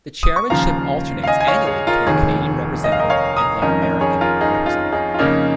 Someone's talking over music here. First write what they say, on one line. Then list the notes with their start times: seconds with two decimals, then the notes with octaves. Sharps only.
The chairmanship alternates annually between a Canadian representative and an American representative.
0.23 D#6
0.36 C#6
0.50 D#2 C#3 F3 F5 A#5
1.23 F5
1.27 D#5 G#5
1.41 G#5
1.47 C#5 F5
1.67 G#4 C#5
1.87 F4 A#4
2.06 F1 D#2 D#3 G#4 C#5
2.84 D#5
2.92 F5
3.00 A#4 D#5
3.10 C#5 F5
3.37 A#5 D#6
3.62 F2 D#3 C#4 A#4 D#5
3.82 A#4 D#5
4.01 G#4 C#5
4.21 F4 A#4
4.41 D#4 G#4
4.66 F4
4.92 D#4 G#4
5.14 F4
5.19 F2 C#3 A#3 C#4 D#4